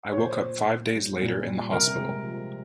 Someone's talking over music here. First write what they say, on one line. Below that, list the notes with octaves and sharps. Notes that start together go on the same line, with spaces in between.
I woke up five days later in the hospital.
C#5
A#2 C5
A#2
A#3
G3
A#2
G3
C3 A#4
G#3
F3